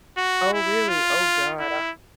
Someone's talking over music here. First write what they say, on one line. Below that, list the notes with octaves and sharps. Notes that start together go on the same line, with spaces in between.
Oh, really? Oh, god. Uh,
F#4
E4
F4
E4